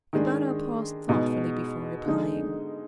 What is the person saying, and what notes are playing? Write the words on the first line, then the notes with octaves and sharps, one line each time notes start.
Ibarra paused thoughtfully before replying.
D#3 G#3 D4
B2 G#3 D#4
D3 G#3 D#4